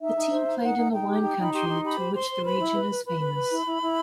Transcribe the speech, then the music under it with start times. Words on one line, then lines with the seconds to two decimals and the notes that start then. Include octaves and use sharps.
The team played in the wine country to which the region is famous.
0.01 D#4 E5
0.16 D#4
0.31 C5
0.47 D#4
0.62 D#4 F#5
0.77 D#4
0.92 D#4 G5
1.07 G4
1.22 D#4 G5
1.37 D#4 B5
1.53 G4 C6
1.68 D#4
1.83 G4 B5
1.98 C5
2.14 C5 C6
2.29 C5
2.44 B4 B5
2.60 E4
2.75 B4
2.90 B4
3.05 B4 B5
3.20 B4
3.35 B4
3.50 E4
3.66 E4
3.81 E4